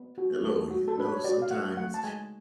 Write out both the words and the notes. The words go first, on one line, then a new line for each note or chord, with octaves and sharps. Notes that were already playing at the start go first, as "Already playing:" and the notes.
Hello, you know, sometimes,
Already playing: B3
F#4
A3
F#4
A4
D4 B4
C#5
F#4 D5
F5
A3 F#5
A3 F#5
A5
G#3 G#5